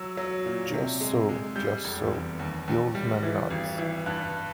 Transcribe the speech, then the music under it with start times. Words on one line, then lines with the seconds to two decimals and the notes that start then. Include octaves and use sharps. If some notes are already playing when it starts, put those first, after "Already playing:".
"Just so, just so," the old man nods.
Already playing: F#3 E6
0.17 F#3
0.46 A#2
0.74 C3
1.01 G#3
1.29 G#3
1.56 G3 G6
1.84 F1
2.12 E2
2.39 D#2
2.68 D#2
2.95 G3
3.23 E3
3.50 G#1
3.78 E3
4.06 G2 F#6